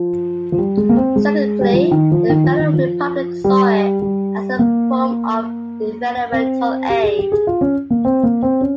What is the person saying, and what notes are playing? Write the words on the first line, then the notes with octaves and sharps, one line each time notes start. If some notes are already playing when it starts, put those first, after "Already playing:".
Secondly, the Federal Republic saw it as a form of developmental aid.
Already playing: F3
F3
G3
G#3
A#3
C4
G#3
G3
F3
D#3
F3
D#3
F3
D#3
F3
G3
G3
A#3
C4
G4
G#4
G4
G#4
F4
C#4
A#3
C4
A#3
C4
C#4